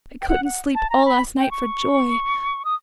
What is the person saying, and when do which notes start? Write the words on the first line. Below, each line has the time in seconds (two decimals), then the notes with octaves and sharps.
I couldn't sleep all last night for joy.
0.22 G5
0.28 F#5
0.45 F#5
0.75 A5
0.90 A#5
1.05 B5
1.37 G5
1.51 C#6
2.65 D#6